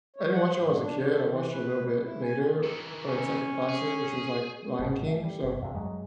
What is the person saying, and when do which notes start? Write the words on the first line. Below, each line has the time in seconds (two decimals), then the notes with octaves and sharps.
I didn't watch it when I was a kid, I watched it a little bit later, but it's, like, a classic, which was, like, Lion King, so,
0.16 C#5
0.32 F#5
0.57 G#2
0.79 D4
0.96 B2
1.08 A4
1.27 E3
1.50 B4
2.02 E4
2.23 G#5
2.63 D#3 E3
3.08 C#4
3.69 G#4
4.80 G1 G#2 B2
5.07 A3
5.24 G3
5.43 G1
5.61 E2 G2 C3
5.75 F#2 F#3 G#3